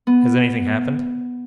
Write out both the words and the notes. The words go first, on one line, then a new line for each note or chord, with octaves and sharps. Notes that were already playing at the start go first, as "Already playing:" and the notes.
"Has any thing happened?"
B3